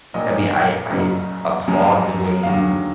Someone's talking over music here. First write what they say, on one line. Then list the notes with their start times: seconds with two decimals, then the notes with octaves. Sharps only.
I mean, I I applaud the way you
0.14 A#1 A#2 F3 A#3 D#5
0.90 F#1 F#2 C#3
1.67 G1 F#2 C#3 F3 G#3
2.43 E1 D#2 D3 F#3 F5